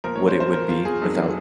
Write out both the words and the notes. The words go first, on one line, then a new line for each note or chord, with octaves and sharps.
what it would be, without,
A#2 F3 A#4
C#5
C5
C5
A#4
F4
G#4
F2 D#3 F#3